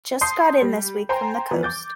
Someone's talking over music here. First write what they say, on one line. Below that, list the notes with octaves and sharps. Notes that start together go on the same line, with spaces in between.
Just got in this week from the coast.
A5 C6 D#6 G6 C7
G3
C5 G5 G#5 A#5 C6
E3 F3 B3
D6 G6 A6